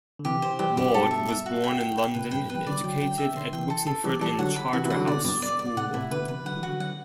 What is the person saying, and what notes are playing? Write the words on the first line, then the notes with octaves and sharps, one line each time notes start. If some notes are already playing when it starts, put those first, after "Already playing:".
Maude was born in London and educated at Wixenford and Charterhouse School.
D3
C3 E3 G4
C5
E3 G3 G4
G2 B2 G4
G2 B2 A4
E5
E5
F#4
G5
G5
G5
A2 C3 B4
G2 B2 G5
G2 B2
B4
E3 G3
D3 F#3 D5
D3 F#3 G5
D3 F#3 G5
E5
B2 D3 C6
C3 E3 G5
A4
A4
E3 G3 D5
E3 G3 A4
D3 F#3 F#5
B5
C3 E3 F#4
C3 E3
F#5
D3 F#3
B2 D3 D5
G2 B2 D5
D5
D5
A2 C3 F#5
A2 C3 E4
B2 D3 B4
C3 E3 B4
D3 F#3 F#5
E3 G3
F#4
D3 F#3
D3 F#3 F#5